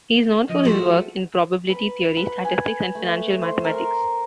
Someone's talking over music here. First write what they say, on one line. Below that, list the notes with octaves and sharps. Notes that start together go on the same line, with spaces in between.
He is known for his work in probability theory, statistics and financial mathematics.
F3 D#5
G#3 A3 F4 F#4
B4
B4
G#5
A3
C5
A#4